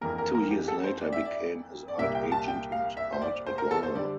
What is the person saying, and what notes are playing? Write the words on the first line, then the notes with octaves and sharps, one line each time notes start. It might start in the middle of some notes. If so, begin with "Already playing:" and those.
Two years later became his art agent and art advisor.
F2 E3 A#3 A#4
A#4
A#4
G4
A4
C5
D5
E5
D5
D5
C2 A#2 G3 A#3 E5
G5
A5
G5
F5
E5
C5
D5
C5
A#4
A4
C5
D3 G3 D5